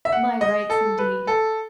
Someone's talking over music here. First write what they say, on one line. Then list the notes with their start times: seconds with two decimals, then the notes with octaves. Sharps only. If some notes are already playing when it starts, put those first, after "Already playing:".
"My rights, indeed!"
0.05 E5
0.12 F#5
0.41 D#5
0.70 A4
0.98 B4
1.27 A4